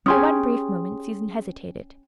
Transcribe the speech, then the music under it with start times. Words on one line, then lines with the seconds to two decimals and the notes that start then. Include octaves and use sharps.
For one brief moment Susan hesitated.
0.06 C#4 G4 G#4 G#5 C6 D#6